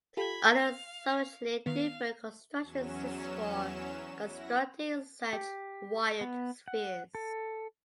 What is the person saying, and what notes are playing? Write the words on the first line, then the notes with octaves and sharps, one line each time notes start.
Other substantially different constructions exist for constructing such "wild" spheres.
F4 G4 A4 B5 G#6
F5
D#3 B3 F5
E2 F#3 C#4 E7
E4 F#4 A#6
G4
B3
F#5
A4